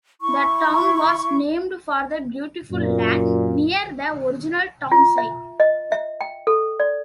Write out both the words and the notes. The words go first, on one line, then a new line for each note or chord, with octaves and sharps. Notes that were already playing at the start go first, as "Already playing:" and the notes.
The town was named for the "beautiful land" near the original town site.
E4 C#6
F#2 A#2
F4
E5
D#5
E5
G5
A4
D5